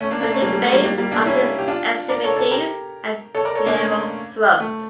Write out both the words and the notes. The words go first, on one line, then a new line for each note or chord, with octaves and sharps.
With the base of the extremities and narrow throat.
A3 C#4
A#3 D4
A#3 D4
A3 C#4
G3 A#3
G3
A3
G3 A#3
G3 A#3
G3 A#3
A#3 D4
C#4 E4
G4
D4 F4
A#4 D5
A4 C#5
A4 C#5
G4 A#4
A4 C#5
A#4 D5
A4 C#5
A#3 D4
A3 C#4
A3